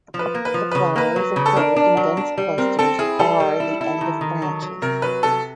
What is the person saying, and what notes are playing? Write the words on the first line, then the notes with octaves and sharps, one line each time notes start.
The flowers occur in dense clusters are the end of branches.
F3
B4
A#3
B4
F3
C#3 B4
A#3 B4
F#3
C#3
A4
D4 A#4
D4
F#3
D4
G3
C4 A#4
C4 A4
E4 G#4
G3 A4
G3
E4
E4
D#3
D#3
F#3
F#3
C3 A#4
F#3 B4
C3 A4